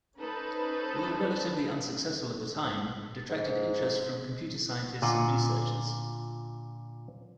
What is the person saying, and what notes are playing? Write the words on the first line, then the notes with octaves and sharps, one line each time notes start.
Although relatively unsuccessful at the time, it attracted interest from computer scientists and researchers.
C#4 D#4 A4 B4 C5
G#2
A#2 D3 F4 D#5 F#5